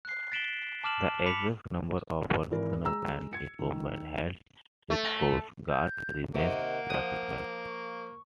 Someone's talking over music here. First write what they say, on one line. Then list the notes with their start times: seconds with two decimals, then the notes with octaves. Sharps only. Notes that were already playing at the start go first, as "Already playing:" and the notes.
The exact number of personnel and equipment held with Coast Guards remains classified.
0.05 F#6 C7
0.32 A6 B6 D7 E7 F#7 G7
0.84 A5 D6 F6 E7 F#7
1.26 B5 D6 B6 C#7 F7 F#7
2.51 G#1 E3 A#4
2.84 G#3 A#5 E6
3.33 G#6 C#7
3.59 D#3
4.90 A3
5.70 G6
6.35 C3 D#3 A#3 F#5
6.90 F3 D#6
7.66 C#6